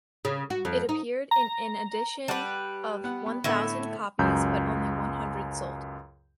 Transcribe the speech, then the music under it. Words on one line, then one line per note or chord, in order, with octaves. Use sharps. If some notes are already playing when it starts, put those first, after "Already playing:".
It appeared in an edition of one thousand copies, but only one hundred sold.
C#3
F#4
F2
D#4
A#5
G3 B4 D5 F#5 A5
B3 F#5
B3
A2 D3 A3 B3 E5
C#2 F#2 G6